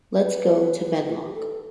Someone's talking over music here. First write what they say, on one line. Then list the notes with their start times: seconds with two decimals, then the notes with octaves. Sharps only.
Let's go to Benlloc.
0.18 B4
1.00 A4
1.05 B4
1.26 G4
1.34 A4